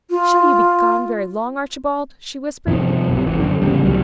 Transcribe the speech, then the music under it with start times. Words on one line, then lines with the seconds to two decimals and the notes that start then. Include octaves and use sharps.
"Shall you be gone very long, Archibald?" she whispered.
0.10 F4
2.67 G2 C3 D#3 F3
3.09 B1 C3
3.26 G#1 E3
3.39 F#2 D3
3.61 A1 C#3 G3
3.84 C2 F#3 G3